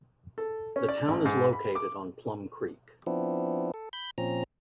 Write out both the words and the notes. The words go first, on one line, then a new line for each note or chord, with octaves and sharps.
The town is located on Plum Creek.
A4
C#4
D5
A1
G#2
B5
D6
F3 B3 C4 D4 E4
A4
B5 G6
A#2 F3 C4 C#4 A#5